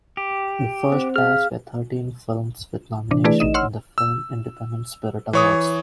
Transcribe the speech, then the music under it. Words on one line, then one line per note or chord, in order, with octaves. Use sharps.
The first batch were thirteen films with nominations in the Film Independent Spirit Awards.
G4
C4 C5
G#4 F5 F6
C3 E3 D4
E3 A3 E4 G#4 B4 D5
A1 D#4 D#5 E7
C#5 F#5 C6 E6 F6
E6
E3 C#5 D#6